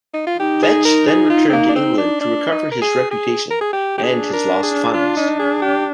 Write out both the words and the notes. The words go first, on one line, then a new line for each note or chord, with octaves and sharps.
Vetch then returned to England to recover his reputation and his lost funds.
D#4
F4
D#4 G4
G#4
A#4
G#4
F4
C4
A#3
D4
C4
D4
D4
D#4
A#4
G#4
G#4
A#4
G#4
G4
G4
D4 G#4
A#4
G#4
F4
D#4
G#4
G4